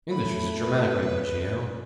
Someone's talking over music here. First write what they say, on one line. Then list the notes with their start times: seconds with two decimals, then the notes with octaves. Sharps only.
English is a Germanic language, you know.
0.11 A2 B5
0.60 B4